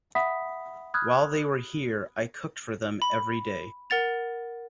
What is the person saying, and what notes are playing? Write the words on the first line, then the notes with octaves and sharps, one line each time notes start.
While they were here, I cooked for them everyday.
E5 F#5 B5 D#6 B6
B5 D#6 F6 F#6 G#6
B5
A#4 F#5 A6 F7